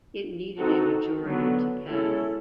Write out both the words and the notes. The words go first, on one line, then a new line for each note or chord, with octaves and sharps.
It needed a majority to pass.
C4 D#4 F#4 A4
D3 F#3 B3
G#3 C#4 E4 A4